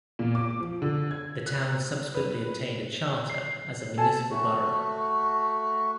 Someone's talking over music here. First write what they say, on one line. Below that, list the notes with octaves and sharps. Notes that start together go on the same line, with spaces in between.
The town subsequently obtained a charter as a municipal borough.
A#2
D6
F3
D3
G#6
F#6
B4
C7
A4 G#5 A5
A3 F#4